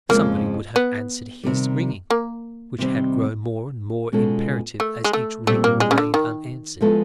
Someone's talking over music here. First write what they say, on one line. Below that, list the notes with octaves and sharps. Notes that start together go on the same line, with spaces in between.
Somebody would have answered his ringing, which had grown more and more imperative as each ring remained unanswered.
F2 C#3 F3 G#3 A#3
B3
C3 D#3 G3
A#3
C3 D#3 G3 C4
B2 G#3 C#4 F4 A4
A3
G#3
A3
A#2 G3 A3 C4
A#3
G#3
C#3
D3
D#3
F3 G#3 B3 E4 A4